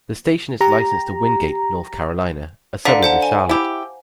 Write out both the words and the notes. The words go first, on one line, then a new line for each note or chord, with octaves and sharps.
The station is licensed to Wingate, North Carolina, a suburb of Charlotte.
G4 A#5
D3 F5 A#5 B6
C5 F#5 A5
G#5
E4 G4